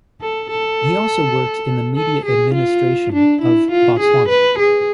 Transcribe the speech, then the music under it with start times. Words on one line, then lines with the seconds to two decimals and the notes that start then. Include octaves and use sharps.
He also worked in the media administration of Botswana.
0.21 A4
0.50 A4
1.96 A4
2.26 G#4
2.54 F4
3.13 D4
3.42 E4
3.71 F4
4.00 G#4
4.29 B4
4.59 G#4